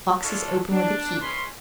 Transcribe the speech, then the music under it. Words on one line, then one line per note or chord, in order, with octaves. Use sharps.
Boxes open with a key.
C#4 D4 E4 F4 A4 C#5
D4
G#3 C#4 B4 B5 C6